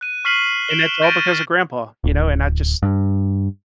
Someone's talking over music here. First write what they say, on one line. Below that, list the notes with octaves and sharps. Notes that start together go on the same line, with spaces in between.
And that's all because of grandpa, you know, and I just
F#6 D#7
C#6 F6 B6 C7 D#7 F#7
D7 E7 F#7 G7
G6 A6 A#6 D7 D#7
D1
G2